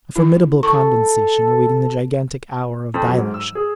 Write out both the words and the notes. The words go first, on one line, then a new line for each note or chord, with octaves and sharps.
A formidable condensation, awaiting the gigantic hour of dilation!
E4
A4 C#6
F2
F#3
G#2
E6
G#4